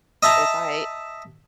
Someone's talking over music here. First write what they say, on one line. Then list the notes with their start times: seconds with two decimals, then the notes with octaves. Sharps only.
if I
0.23 D#5 E5 A5 A#5